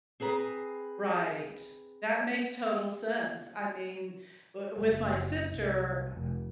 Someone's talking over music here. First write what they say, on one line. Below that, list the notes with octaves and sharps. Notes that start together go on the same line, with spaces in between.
Right. That makes total sense, I mean, w with my sister I I
C4 G#4 B4 A#5
F#1
C2
F1